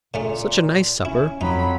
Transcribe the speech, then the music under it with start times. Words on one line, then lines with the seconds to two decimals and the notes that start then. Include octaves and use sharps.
Such a nice supper!
0.14 A#2 C#3 A3 C#4
1.05 C#4 E4
1.41 F2 F#3 D#4 B5